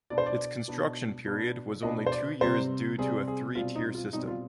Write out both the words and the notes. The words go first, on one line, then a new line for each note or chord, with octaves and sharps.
Its construction period was only two years due to a three-tier system.
B2 B3 D4 D5
C5
D5
B2 B3 D4
B2 B3 D4
B2 B3 D4 D#5
C5
D5
C3 G3 C4 C5
C3 G3 C4 G#4
G#4
B2 G3 C4 F4
D#4
F4
B2 G3 C4 D#4
F4